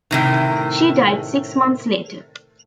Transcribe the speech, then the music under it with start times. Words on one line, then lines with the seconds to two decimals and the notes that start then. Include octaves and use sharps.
She died six months later.
0.11 A2 C3 D#3